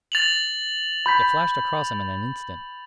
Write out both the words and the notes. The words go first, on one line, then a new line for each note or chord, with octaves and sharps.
It flashed across him in an instant.
A6 F7 F#7
B5 G6 B6